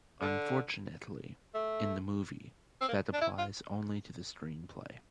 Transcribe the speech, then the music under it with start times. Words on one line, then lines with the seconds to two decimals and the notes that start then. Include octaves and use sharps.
Unfortunately, in the movie, that applies only to the screenplay.
0.21 D3
1.54 A3
2.81 C4
2.88 A#3
3.13 D4
3.21 E4
3.38 F4